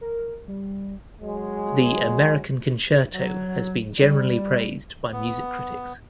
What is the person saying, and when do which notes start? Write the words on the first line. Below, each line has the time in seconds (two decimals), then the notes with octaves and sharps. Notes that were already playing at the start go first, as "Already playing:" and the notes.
The "American Concerto" has been generally praised by music critics.
0.01 A#4
0.48 G3
1.21 F#3 G#3
3.14 F#3
3.99 G3
5.12 B3